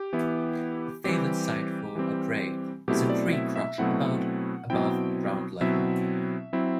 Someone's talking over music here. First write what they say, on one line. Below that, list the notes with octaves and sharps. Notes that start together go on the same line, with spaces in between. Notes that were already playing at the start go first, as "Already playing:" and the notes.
A favoured site for a drey is a tree crotch about above ground level.
Already playing: G4
E3 B3 E4
E3 G3 C4 G4
E3 G3 C4
B2 F#3 A3 C4 E4 G4
D5
E5
E5
B2 F#3 A3 C4 E4 F#5
B2 F#3 C4 E4 G5
B2 F#3 C4 E4 E5
F#3 C4 E4